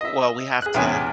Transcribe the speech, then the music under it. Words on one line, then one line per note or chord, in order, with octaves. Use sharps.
Well, we have to
D#5 E5
G#4 F#6
E2 G2 C3 B3 C#4 G#5